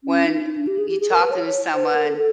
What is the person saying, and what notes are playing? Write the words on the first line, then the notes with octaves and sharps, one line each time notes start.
when you talking to someone,
C#4
D#4
D#4
D4
G4
G#4
G4
G#4
A#4
B4
C#5
C#5
C5
B4
A#4
A4
A4